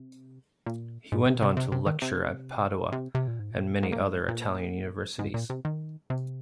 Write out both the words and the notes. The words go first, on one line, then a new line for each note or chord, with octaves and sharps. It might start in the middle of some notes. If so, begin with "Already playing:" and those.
He went on to lecture at Padua and many other Italian universities.
Already playing: C3
A#2
G#2
C3
C3
C3
C3
D#3
C3
C3
C3
A#2
G#2
A#2
G#2
A#2
G#2
A#2
G#2
A#2
C3
D#3
C3